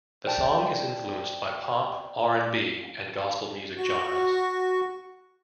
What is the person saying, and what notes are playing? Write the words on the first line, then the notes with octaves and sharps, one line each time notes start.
The song is influenced by pop, R and B and gospel music genres.
C5 D5 G5 A5
F#4 C#6